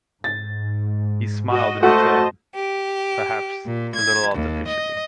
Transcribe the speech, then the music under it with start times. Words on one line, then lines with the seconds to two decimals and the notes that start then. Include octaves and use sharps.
He smiled in return — perhaps a little artificially.
0.24 G#2 A6
1.49 F#4 D#5
1.83 A3 F#4 C5 D#5 F#5 A5
2.54 G4
3.66 A#2
3.95 G#6
4.34 D#2
4.67 D#5